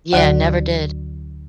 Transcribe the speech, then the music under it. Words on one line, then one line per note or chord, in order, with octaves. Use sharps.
Yeah, never did.
D2 D3 F#3 F#4 D5